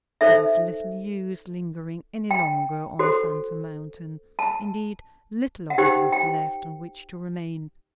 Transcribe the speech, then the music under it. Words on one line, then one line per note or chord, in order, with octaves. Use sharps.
There was little use lingering any longer on Phantom Mountain--indeed little of it was left on which to remain.
D#4 A4 C5 E5
G5
F#4 A4 C5
A5
F#5
D#4 G4 C5 G5
G5